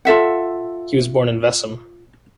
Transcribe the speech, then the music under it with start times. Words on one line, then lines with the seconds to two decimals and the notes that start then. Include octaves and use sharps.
He was born in Vessem.
0.05 F4 A4 E5 F#5